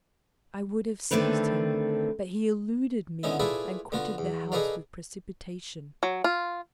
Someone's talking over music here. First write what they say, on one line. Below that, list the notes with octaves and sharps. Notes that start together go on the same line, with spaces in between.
I would have seized him, but he eluded me and quitted the house with precipitation.
D3 D#3 A3 C4 B4
D3 B3 C#4 D#4 E4
E4 F4 G#4 A4 B4 D5
D3 B3 F4 F#4
E2
D#4 G#4 A4 B4 D5 F5
F#3
F4